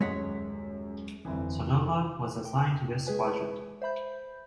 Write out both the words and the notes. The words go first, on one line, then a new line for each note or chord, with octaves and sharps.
"Sonoma" was assigned to this squadron.
D#1 F#2 G#3 C#5 F#5 B6
G1 F2 E3
G5
G#3 G#4 B4 G#5
C5 E5 B5 G6